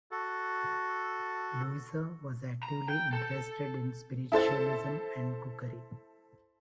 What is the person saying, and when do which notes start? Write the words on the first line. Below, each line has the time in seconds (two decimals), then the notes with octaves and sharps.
Louisa was actively interested in spiritualism and cookery.
0.11 F#4 A4
2.63 A#5
2.89 G5
3.13 A4
4.32 E4 A4 C5 A6